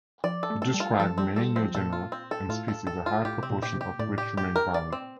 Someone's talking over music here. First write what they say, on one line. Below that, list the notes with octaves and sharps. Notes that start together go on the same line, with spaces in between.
He described many new genera and species, a high proportion of which remain valid.
F3 D5
A4
A3
A4
G3
F4
F3 A4
G3 C4
G3 A4
F3 C4
A#2 A4
F4
C4
A4
A2 F4
A4
A4
F4
A2 G4
C3 C4
A#2
G4
C3
G4
A2 D5
G4
G4
A#4
D5
C4